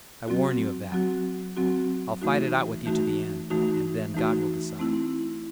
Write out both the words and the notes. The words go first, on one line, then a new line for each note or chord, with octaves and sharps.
I warn you of that. I'll fight it out with you to the end, and then God will decide.
F#3 C4 F#4
F#3 C4 F#4
F#3 C4 F#4
E3 A3 D#4 F#4
E3 A3 D#4 F#4
E3 A3 D#4 F#4
E3 A3 D#4 F#4
A3 C4 E4